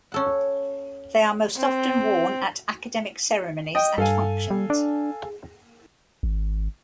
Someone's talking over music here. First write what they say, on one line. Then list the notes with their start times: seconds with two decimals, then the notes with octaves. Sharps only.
They are most often worn at academic ceremonies and functions.
0.12 C#4 A4 F#5
1.57 C4
3.75 D#5 G5
3.98 G2 A4 F5 G#5
4.50 G3
4.70 D4
6.23 G#1